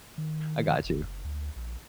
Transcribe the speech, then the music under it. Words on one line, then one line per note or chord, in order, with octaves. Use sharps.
I gotchu."
D#3
F#1
D2
A#1